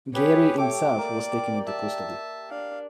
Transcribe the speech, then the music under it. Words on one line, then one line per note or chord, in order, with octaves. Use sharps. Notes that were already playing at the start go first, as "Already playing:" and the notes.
Gairy himself was taken into custody.
G4 G#4 B4 C#5
A3 G4 G5 D6
A#3 D5
E5 A5
D4 F5